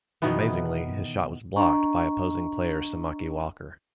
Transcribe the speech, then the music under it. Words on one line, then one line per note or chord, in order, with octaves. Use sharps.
Amazingly, his shot was blocked by opposing player Samaki Walker.
B2 D#3 E3 B3
D4 D#5 A#5 C#6